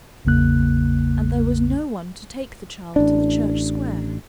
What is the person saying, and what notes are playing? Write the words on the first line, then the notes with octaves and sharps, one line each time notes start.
And there was no one to take the child to the Church Square.
A1 E2 C#3 A#3 F#6
A1 D4